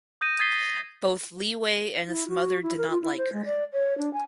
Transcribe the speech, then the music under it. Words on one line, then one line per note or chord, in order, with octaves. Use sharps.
Both Li Wei and his mother did not like her.
D#6 G6 A#6 D#7
D#6 G#6 A6 B6 C7 G7
E4
F#4
E4
A#4
F4
E4
C5
G#3
D5
C#5
D4
G#5